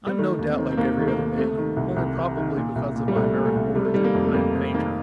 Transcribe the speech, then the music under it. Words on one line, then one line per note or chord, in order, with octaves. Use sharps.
I am no doubt like every other man; only, probably because of my American origin I am fainter.
G3
D#3 A3
D#2
C4
D#3
C4
D#2 A#3
D#3 A3
A#3
D#2
C3 A3
D#3
C2
C2
C3
D#3
A#2
C2
A#2
G3
C2 A3
A#2
A3
C2
C3 G3
A3
D#3 G3
A#3
F2
A3
F2 A#3
C3 C4
D#3 A#3